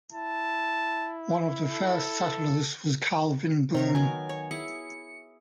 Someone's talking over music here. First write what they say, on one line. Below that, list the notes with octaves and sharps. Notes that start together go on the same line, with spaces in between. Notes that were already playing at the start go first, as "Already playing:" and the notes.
One of the first settlers was Calvin Boone.
E4 A5
A4
C3 D#3 A#4 C#5
F#3 B3 A#4 G#5
C#5
E4 G#4 C#7